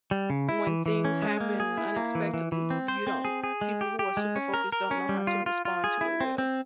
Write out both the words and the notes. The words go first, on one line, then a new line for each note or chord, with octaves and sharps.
when things happen unexpectedly, you don't people who are super focused don't know how to respond to it well.
G3
C#3
E4
E3
E3
C#4
G#3
A#3
G#4
E4
A#3
E3
E3
E3
C4
C5
C4
G#4
G#4
G#3
G4
G4
G#3
C#4
A#4
A#4
C#4
G3
F4
F4
F4
G#4
E4
C4
C4